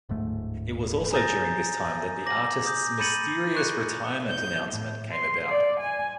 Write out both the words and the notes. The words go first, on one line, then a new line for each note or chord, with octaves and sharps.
It was also during this time that the artist's mysterious retirement announcement came about.
D1 G#2 A3
G#5 A#5 D#6 G6 A6 A#6
D6 A#6 F#7
D#6 G6
B5 G6 A6 C#7 D#7 F#7
C#6 F#6 C#7
G6
A2
C6
D5
G#5